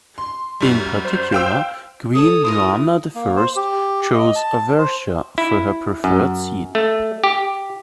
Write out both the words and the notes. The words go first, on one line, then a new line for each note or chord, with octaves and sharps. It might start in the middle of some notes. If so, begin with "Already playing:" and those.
In particular Queen Joanna I chose Aversa for her preferred seat.
C6
F#2 G3
C5
F5 G5 E6
A4 C#5 A5 D#6
E4 F4 A#4 D#6
A#3
C5
G4
D#5
A5
C5
E4
F#2
A3
G4